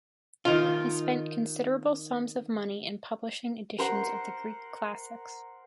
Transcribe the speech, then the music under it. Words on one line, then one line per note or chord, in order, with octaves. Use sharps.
He spent considerable sums of money in publishing editions of the Greek classics.
D#3 F4
A#4 C5 F#5